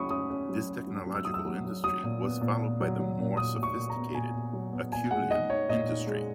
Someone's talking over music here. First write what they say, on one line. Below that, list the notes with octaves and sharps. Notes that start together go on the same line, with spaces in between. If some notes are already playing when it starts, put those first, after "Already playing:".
This technological industry was followed by the more sophisticated Acheulean industry.
Already playing: F#3 C#4 E4 B5 C#6 D#6
C#4 D#6
C#4
F#3
C#4
F#3
F#3
E6
F#3 D#6
E6
F#3
F#3
F#3 D#6
A#2
B3
A#2
A#2
F#3
F#3
A#2
A#2 D#6
A#2
C#6
A#2
A#5
B3
A#2 G#5
A#2
F#3
B3
A#2 G#5
G#3 F#5
D#4 D#5
D#4 C#5
A#2 D#5
D#4
G#3